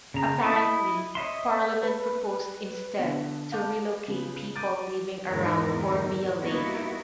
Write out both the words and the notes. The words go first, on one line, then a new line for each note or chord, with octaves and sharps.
Apparently, parliament proposed instead to relocate people living around Urmia Lake.
C#3 A#5
E4 D#5
C#5 D#5 E5 C6
B4
B2 D3
F5 A5 D6 G6
C#3 F3 B3
D6 G6 A6 D7 D#7
E2 G#2 D#3 A#4
G3 A#3 B3 D#4 E4 F#4